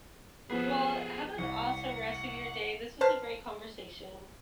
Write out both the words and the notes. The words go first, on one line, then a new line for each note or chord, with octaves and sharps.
well, have an awesome rest of your day, this was a great conversation.
F3 B3 G#4 A4 B4
C2 F#5
B4 C5 A5 F6